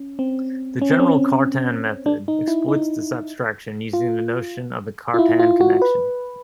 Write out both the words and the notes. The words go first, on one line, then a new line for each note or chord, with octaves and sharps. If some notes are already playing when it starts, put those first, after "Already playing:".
The general Cartan method exploits this abstraction using the notion of a Cartan connection.
Already playing: C#4
C4
C#4
C4
C#4
D4
D#4
E4
D#4
F4
F4
E4
F4
F#4
B4